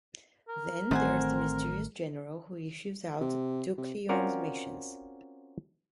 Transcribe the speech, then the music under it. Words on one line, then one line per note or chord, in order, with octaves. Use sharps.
Then there's the mysterious General, who issues out Duklyon's missions.
A#4
A1 D#3 A3 C4 C5 F#5 G#5
C3
C3
C4 C#4 F4 F#4 A#4 D5